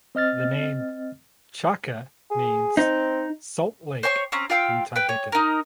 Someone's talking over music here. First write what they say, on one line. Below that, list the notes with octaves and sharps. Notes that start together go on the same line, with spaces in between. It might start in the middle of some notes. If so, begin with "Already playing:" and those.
The name "Chaka" means "salt lake" in Tibetan.
C4 D#5 F6 A6
G#4
C4 D#4
C5 C#5 G#5 C#6
C4 C#4 A#5
F4 F5 G5 E6
B4 G5
C#5
D#4 A#4